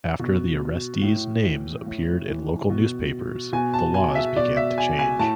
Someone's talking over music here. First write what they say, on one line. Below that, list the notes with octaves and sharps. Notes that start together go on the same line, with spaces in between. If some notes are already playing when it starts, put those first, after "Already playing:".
After the arrestees' names appeared in local newspapers, the laws began to change.
B2
A2
E3
A2
E3
B2
B2 G#5
A5
G#5
E5
B2 D5
E5
G#5
G#5
A2 A5